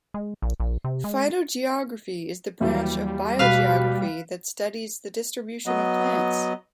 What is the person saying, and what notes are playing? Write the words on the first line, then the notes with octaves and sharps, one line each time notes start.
Phytogeography is the branch of biogeography that studies the distribution of plants.
G#3
A#1
A#1
C3
G#3
D#2 E3 F#3 G3
B2 B4 F5
F#3 B3 D#5